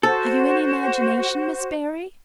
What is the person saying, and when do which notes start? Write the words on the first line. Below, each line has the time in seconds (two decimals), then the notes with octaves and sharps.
Have you any imagination, Miss Barry?
0.03 F#4 A4 C5